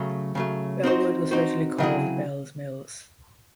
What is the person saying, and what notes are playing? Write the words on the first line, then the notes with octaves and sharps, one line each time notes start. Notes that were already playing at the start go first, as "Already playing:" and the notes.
Bellwood was originally called Bell's Mills.
Already playing: C#3 F#3 A3
C#3 F#3 A3
C4 D#4 F#4 C5
C4 D#4 F#4 C5
C#3 F#3 C4 E4 G#4